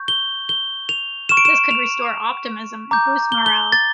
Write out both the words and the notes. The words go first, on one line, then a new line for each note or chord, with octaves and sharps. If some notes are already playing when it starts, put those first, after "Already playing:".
This could restore optimism and boost morale.
Already playing: C#6 G6
G7
G7
F7
C#6 F6 E7
D7
E7
F7
A#5 D6 G6
G7
G7
A6